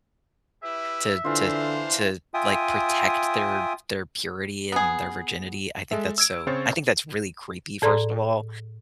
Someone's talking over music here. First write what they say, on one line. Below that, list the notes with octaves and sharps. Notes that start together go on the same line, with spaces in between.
to to to, like, protect their their purity and their virginity. I think that's so I think that's really creepy, first of all,
E4 G4 B4 E5
D3 E3 D4 F4 C5 F5
F4 E5 G5 G#5 D#6
B3 G#4
G#3 A4 E5
E6 G#6 D7
C#3 C4 C5 C#5 C#6 A6
A2 A4 D5 A#5 C6